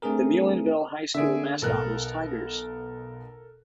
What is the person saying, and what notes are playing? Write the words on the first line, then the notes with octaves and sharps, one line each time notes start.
The Mullinville High School mascot was Tigers.
A3 C4 D4 G#4 A#4
D3 A#3 G#4 E5 D7
B1 B2 A4 A#4 F#6